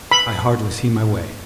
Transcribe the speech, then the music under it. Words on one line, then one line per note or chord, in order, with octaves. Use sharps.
I hardly see my way.
B5